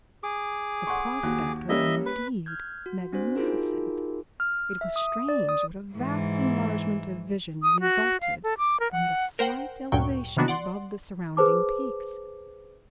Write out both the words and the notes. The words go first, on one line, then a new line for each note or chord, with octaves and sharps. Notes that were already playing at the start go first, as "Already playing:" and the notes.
The prospect was indeed magnificent; it was strange what a vast enlargement of vision resulted from the slight elevation above the surrounding peaks.
G#4 D6
F#5 C6 C#6
D#2 F#4 F#6
G3 A#3 C#4 D#5 E5
B4
F6 G6 G#6
F#4
C4 D4 F#4 C5
D#4 F4 F#4 G#4 A#4
F6
E5
D#6
D5
D#6
G#2 E3
D#6
F#4
F5
A4
D6
A#4
F#5
A#4 C5 F#5 G5
D2 G2 A#2 F#3 G5 C#6
C3 D#3 A#3 B3 D4 F#4
D5 F#5 C6
G#4 B4 C5 A5 D6